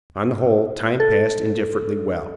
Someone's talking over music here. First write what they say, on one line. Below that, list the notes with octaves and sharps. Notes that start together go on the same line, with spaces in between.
On the whole, time passed indifferently well.
A4